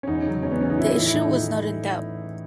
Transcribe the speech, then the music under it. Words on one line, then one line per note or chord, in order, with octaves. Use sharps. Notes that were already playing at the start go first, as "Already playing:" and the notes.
The issue was not in doubt.
C#4
E2 D#4
C#3 F#3
E2 C#4
B3
C#3 F#3 C#4
D#4
A2 E4
E4
E3
E4
A2 D#4
E3